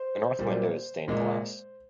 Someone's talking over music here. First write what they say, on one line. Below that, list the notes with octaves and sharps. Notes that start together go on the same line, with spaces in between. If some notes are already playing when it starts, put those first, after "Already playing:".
The north window is stained glass.
Already playing: C5
A#2 G3
A#2 G#3